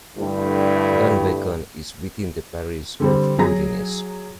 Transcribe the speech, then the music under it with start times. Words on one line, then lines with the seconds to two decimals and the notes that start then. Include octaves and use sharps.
Dunvegan is within the parish of Duirinish.
0.17 G2 D3 G3 A3 E4
3.00 D3 G3 C4
3.38 F#3 G#4 A#5 A#6